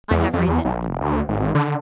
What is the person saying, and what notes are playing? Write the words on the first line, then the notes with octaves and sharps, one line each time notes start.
I have reason.'
E2
F2
E2
B1
A#1
F1
D2
G#1
G#1
D3